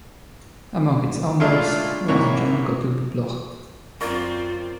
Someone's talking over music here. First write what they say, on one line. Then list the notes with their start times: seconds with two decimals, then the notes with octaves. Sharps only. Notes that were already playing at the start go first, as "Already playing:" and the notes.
Among its owners was Jan Gotlib Bloch.
1.40 A#2 G#3 A3 D4 E4 F4
2.08 G#2 C3 E3 A#3 C#5
4.01 F#2 C4 F4 A#4 D5 F5 C#6